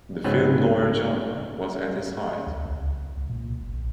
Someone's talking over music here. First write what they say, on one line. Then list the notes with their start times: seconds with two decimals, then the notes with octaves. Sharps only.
The film noir genre was at its height.
0.24 C#2 G#2 F#3 B3 C4 B4
2.47 D2
2.66 C#2
3.17 C#2
3.30 A#2
3.61 G1
3.73 A#1